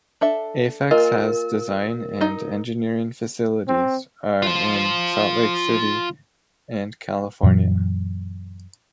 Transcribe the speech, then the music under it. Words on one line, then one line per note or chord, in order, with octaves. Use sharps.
Aphex has design and engineering facilities are in Salt Lake City and California.
D4 A4 E5
A#3 F4 A#4 D#5
D#4 D#5
C4
F4 C5
F#2 A#2 E3 F#3